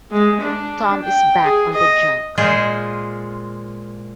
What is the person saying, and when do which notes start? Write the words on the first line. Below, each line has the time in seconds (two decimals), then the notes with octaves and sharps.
Tom is back on the junk.
0.11 G#3
0.41 D4
1.04 G5
1.44 G#4
1.72 D#5
2.38 A#2 G#3 F4 G#4 C5